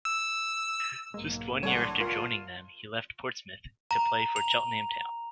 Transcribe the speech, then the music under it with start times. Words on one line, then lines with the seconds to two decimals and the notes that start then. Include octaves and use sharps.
Just one year after joining them, he left Portsmouth to play for Cheltenham Town.
0.05 E6
1.14 B1 G#2 G#3 A#3
1.63 D3 E3 G3 A4 C#5 F#5
2.00 F4 A#4 G#5
3.91 A#5
4.36 F7